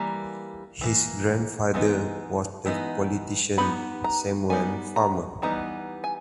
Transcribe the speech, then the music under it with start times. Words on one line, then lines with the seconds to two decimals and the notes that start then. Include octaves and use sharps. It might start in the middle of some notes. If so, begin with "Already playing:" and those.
His grandfather was the politician Samuel Farmer.
Already playing: E3 G3 A#3 A#5
0.81 E3 G3 A#3
1.74 E3 G#3 B3 D#4
2.65 E3 G#3 B3 D#4
3.57 G3 B3 D#4 B5
4.04 A#5
4.50 G3 B3 D#4 G#5
4.96 A#5
5.42 E3 G3 B3 D#4 A#5
6.04 G#5